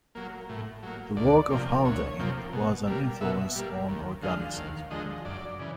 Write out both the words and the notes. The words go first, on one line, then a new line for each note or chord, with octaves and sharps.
The work of Haldane was an influence on organicism.
F#3 A#3
A2
F#3 A#3
D2 D5
C3 F3 A#3
D2 C#5
C3 F3 A#3
B2
G3 A#3
B2 E5
G3 A#3
D#2
D3 F3 G#3 F5
D#2 F5
D3 F3 G#3 D#5
F#2 D5
C#3 E3